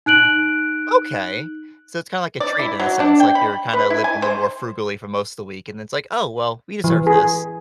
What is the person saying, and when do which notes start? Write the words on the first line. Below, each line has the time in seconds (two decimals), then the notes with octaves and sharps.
Okay. So it's kinda like a treat in a sense, like, you're kinda living a little more frugally for most of the week, and it's like, "Oh well, we deserve this."
0.06 D#4 F#6 D7 F#7
2.40 D5
2.59 E4
2.80 F#3
3.00 D4
3.20 G5
3.35 B5
3.73 B4
3.90 E4
4.04 G#5
4.22 C5
6.84 E3
7.07 G#4